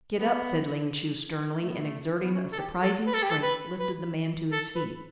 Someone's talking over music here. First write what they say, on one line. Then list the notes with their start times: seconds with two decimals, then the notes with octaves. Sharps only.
"Get up," said Ling Chu sternly, and, exerting a surprising strength, lifted the man to his feet.
0.16 B3
1.62 A3
1.71 B3
1.81 A3
2.24 B3
2.34 C#4
2.53 A4
2.59 G4
2.83 A4
3.07 B4
3.14 A4
3.23 G4
3.30 A4
3.43 B4
3.79 B4
4.52 A4
4.76 B4